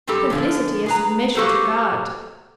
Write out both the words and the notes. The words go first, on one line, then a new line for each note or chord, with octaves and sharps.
Simplicity is submission to God.
F#2 G3 C4 G4 A4
A#2 D3 F3
G#4 B4 A#5
A#3 F#4 G4 A4 B4 C5